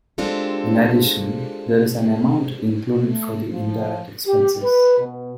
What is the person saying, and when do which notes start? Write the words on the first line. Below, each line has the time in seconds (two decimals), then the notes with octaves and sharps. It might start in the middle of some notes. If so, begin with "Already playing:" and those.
In addition, there is an amount included for the indirect expenses.
0.18 G#3 C4 D4 F4 G4 A4
3.03 A3
3.51 F3
4.26 G4
4.63 B4
4.98 B2